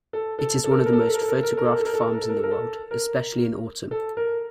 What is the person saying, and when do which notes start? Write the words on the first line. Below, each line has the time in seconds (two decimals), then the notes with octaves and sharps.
It is one of the most photographed farms in the world, especially in autumn.
0.13 A4
0.39 A4
0.64 A4
0.71 A#4
0.78 A4
0.86 A#4
0.93 A4
1.00 A#4
1.07 A4
1.14 A#4
1.21 A4
1.28 A#4
1.36 A4
1.43 A#4
1.50 A4
1.57 A#4
1.64 A4
1.72 A#4
1.79 A4
1.86 A#4
1.93 A4
2.01 A#4
2.08 A4
2.15 A#4
2.22 A4
2.29 A#4
2.36 A4
2.43 A#4
2.51 A4
2.91 A#4
3.91 A4
4.17 A#4